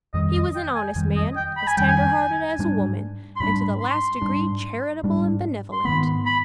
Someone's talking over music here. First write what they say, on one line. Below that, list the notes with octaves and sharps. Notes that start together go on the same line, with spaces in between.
He was an honest man, as tender-hearted as a woman, and to the last degree charitable and benevolent.
F2 D#3 G3 D#5
D#5
G5
G#5
F2 D#3 G3
D#5
G5
B5
G#5
F2 D#3 G3 G5
G#5
G#2 G3 D4
C6
G#2 G3 D4 B5
C6
G#2 G3 D4
G#2 G3 D4
C6
G#2 D#3 B3 B5
B5